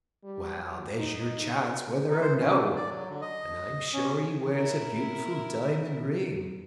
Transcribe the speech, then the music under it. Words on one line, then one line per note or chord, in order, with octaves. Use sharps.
"Well, there's your chance, whether or no; and I'm sure he wears a beautiful diamond ring!"
G3
F#3
D#4
D#4
C5
C#4
D#3
D5
F#3
D3
D#5
C#4
E4 A#4